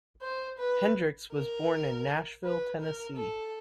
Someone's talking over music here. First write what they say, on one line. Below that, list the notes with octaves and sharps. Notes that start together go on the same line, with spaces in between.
Hendricks was born in Nashville, Tennessee.
C5
B4
A#4
B4
A#4
A4